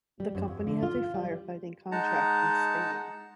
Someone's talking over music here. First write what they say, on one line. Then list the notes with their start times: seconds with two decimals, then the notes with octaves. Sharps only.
The company has a firefighting contract in Spain.
0.20 G3
0.35 F#2
0.48 F2
0.67 D3
0.83 F4
1.14 G3
1.92 G#3 D#4 F#5 A5 A#5